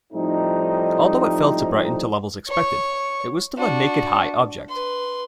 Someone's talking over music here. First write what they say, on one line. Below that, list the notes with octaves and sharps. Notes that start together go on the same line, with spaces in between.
Although it failed to brighten to levels expected, it was still a naked-eye object.
A2 F3 G3 A3 C4 D#4
C#5 C#6
D4 F#4
B4 C6